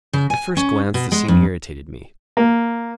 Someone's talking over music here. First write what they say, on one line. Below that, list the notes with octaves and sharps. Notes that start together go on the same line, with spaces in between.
At first glance the scene irritated me.
C#3
G#5
C#4
B2
G#3
F2
A#3